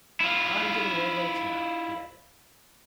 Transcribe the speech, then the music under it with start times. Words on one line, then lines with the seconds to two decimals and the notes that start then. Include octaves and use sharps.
"I am giving away lakes now," he added.
0.20 E4 F4